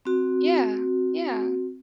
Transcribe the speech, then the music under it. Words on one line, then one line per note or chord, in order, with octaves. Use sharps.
Yeah, yeah.
C4 F#4